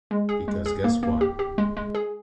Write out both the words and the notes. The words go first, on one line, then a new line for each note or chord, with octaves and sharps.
Because guess what?
G#3
G#4
G#3
G#4
A#3
A#3
G4
G4
G#3
G#3
G#4